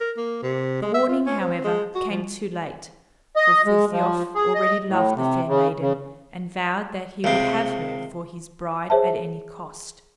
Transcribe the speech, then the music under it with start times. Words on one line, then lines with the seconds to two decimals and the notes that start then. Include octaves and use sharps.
The warning, however, came too late, for Frithiof already loved the fair maiden, and vowed that he would have her for his bride at any cost.
0.01 A#4
0.17 A#3
0.43 C3
0.82 G#3
0.94 E5
1.08 F4
1.26 C#4
1.40 C4
1.64 G#3
1.95 F#4
2.10 F3
3.36 D#5
3.66 G#3
3.92 F3
4.35 G#4
4.54 D#5
4.89 A2
5.16 C3
5.48 C#3
5.80 C#3
7.24 C#2 C3
8.90 G#4 C5 C#5 E5 A5